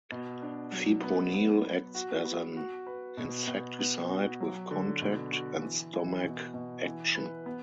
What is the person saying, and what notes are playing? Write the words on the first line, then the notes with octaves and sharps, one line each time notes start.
Fipronil acts as an insecticide with contact, and stomach action.
B2
D4
F#3
B3
B3
B3
F#4
B3
F#4
B4
B2
B2
B3
F#4
F#3
D3
B2
F#4
E3
E3
B2
B2
E3
B4
B3